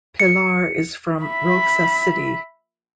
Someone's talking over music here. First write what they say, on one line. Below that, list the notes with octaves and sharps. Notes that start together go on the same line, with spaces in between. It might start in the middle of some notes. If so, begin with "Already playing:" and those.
Pilar is from Roxas City.
C#7
E5 B5